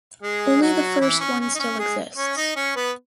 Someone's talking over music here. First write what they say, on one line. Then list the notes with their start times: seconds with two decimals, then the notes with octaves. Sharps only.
Only the first one still exists.
0.23 G#3 G#4
0.62 F#3 F#4
1.01 E3 E4
1.20 C#4
1.40 C#4
1.55 D#4
1.59 C#4
1.78 G#3 G#4
2.17 C#4 C#5
2.37 D#4 D#5
2.56 C#4 C#5
2.76 B3 B4